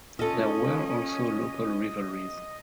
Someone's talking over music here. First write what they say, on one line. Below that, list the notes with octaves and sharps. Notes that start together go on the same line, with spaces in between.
There were also local rivalries.
C#4 F4 A4 D#5